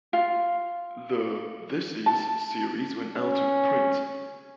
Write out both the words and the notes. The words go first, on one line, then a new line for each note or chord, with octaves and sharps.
The "This is" series went out of print.
F4
A5
C#4